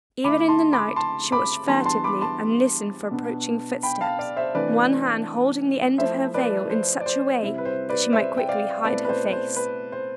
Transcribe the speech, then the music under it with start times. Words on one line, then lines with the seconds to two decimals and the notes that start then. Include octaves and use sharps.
Even in the night, she watched furtively and listened for approaching footsteps, one hand holding the end of her veil in such a way that she might quickly hide her face.
0.24 D3 A3 E4 B5 D6
0.48 A5 C6
0.73 B5 D6
0.96 A5 C6
1.32 B5 D6
1.67 E3 G3 B3 D4 A5 C6
1.86 A5 C6
2.04 B5 D6
2.21 A5 C6
3.11 B2 B3 D4
3.83 G5 B5
4.01 F5 A5
4.19 D5 F5
4.36 C5 E5
4.55 C3 E3 A3 D4 B4 D5
5.98 F3 A3 E4 C5 E5
6.34 B4 D5
6.70 C5
7.01 D5
7.06 C5
7.42 C3 G3 C4 E4
7.58 B4
7.65 C5
7.89 B4 D5
8.13 C5 E5
8.37 G5
8.49 D5 F5
8.85 B2 A3 C4 E4 B4 D5
9.05 B4
9.09 C5
9.33 C5
9.56 B4
9.92 C5